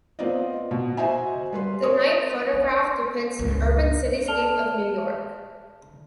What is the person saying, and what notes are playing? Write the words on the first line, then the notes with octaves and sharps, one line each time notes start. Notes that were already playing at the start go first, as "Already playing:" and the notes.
The night photograph depicts an urban cityscape of New York.
B3 C4 F4 D5 D#5
B2
F#4 C5 D#5 E5 G#5
G3 B4 C6
A#4 C#5 D#6
C4
C#2 G2
A4 D5 A5 F6 F7 G7